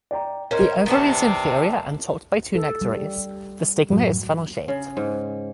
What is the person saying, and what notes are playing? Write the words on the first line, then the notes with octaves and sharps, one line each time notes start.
The ovary is inferior and topped by two nectaries, the stigma is funnel-shaped.
D5 G5 A#5
C#4 A#4 C5 D#5
C3 D#3 B3 D4
A4
G3
F#2 A2 F#3
C#3
G#2